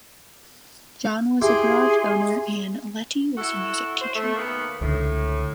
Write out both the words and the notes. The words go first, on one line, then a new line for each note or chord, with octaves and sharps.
John was a garage owner and Lettie was a music teacher.
E4 G4 G#4 G5 C6
E4 F#4 A4
C5
A3
D#2 A#3 B3
C#2 A2 D3